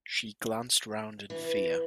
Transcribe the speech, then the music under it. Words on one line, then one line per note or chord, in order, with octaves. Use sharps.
She glanced round in fear.
E3